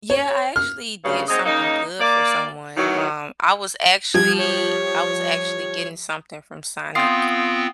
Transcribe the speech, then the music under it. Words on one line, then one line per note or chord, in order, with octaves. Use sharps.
Yeah. I actually did something good for someone. Um, I was actually I was actually getting something from Sonic,
C#5
F6
D2 G2 C#3
F#3 G#3 C4 D#4 D#5
C#3 A#3 D#4
A#3 D5
D#3 E3 F#3
F3 G3 G4 G#6
C#5
B3 C4 F4 G5 D#6 G6 C7